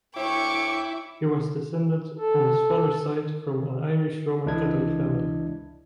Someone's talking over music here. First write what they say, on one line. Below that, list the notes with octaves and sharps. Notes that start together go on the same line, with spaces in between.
He was descended on his father's side from an Irish Roman Catholic family.
D2 E4 C#5 G5 C#6 D6
A4
C#2 E3 D4 E4 D#5 G#6